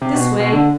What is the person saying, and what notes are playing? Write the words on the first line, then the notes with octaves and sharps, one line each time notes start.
This way.
C3
B2
B2
D3